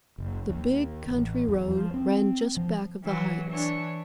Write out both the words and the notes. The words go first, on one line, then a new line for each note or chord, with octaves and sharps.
The big country road ran just back of the heights.
F#1
D#2
A1
E2
F3
C4
F3
E3 F#3
E3 D4 C#5